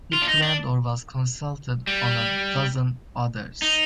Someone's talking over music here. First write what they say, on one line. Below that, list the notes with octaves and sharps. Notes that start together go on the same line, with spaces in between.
He planned or was consulted on a dozen others.
F4
D4
D#4
D4
G3
D#4